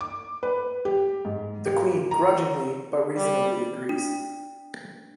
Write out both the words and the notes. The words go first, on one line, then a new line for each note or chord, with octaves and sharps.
The Queen, grudgingly, but reasonably, agrees.
D6
B4
G4
G#2
G4
A#5
G3
D4